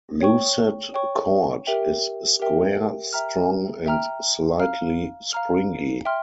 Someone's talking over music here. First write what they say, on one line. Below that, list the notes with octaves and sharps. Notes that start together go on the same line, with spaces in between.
Lucet cord is square, strong, and slightly springy.
C#5 G5 C#6
C#5 G5 C#6
G4 A#4 E5 G5
G4 A#4 E5 G5
E5 G5 A#5 F6
E5 G5 A#5 F6
F5 A#5 F6
F5 A#5 F6
E5 G5 C6 F6